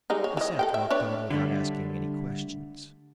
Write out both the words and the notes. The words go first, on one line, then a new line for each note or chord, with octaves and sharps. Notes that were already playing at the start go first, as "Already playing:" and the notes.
Cosette walked on without asking any questions.
G3 G#3 D#4
C#5
E3 D#5
A4 C5 G5
E5
D4 B4 C#5
D3 G3 A3